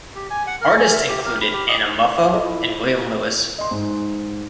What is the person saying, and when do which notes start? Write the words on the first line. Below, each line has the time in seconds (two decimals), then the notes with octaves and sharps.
Artists included Anna Moffo and William Lewis.
0.16 G4
0.30 G#5
0.47 F#5
0.61 A#4
0.78 G#5
0.93 E5
1.09 G4
1.26 A#4
1.41 B5
1.53 G4
1.68 D#5
2.33 E4 F4 A4 D#5
3.58 D#5 C6
3.71 G#2